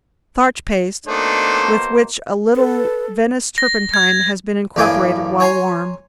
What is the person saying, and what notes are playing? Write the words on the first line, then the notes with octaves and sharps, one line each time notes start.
Starch paste, with which a little Venice turpentine has been incorporated while warm.
B2 A3 A#3 D4 D#4 C5
A4 B4
A#6
G#6
A1 G2 A#3 G5 G#5 D#6
C#5 G#5 A#5 C6